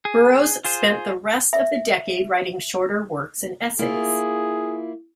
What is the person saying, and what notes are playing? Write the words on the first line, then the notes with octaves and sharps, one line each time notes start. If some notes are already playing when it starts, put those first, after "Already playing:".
Burroughs spent the rest of the decade writing shorter works and essays.
G#4
F4 G#4 C5
E5
A#3 E4 F4 G#4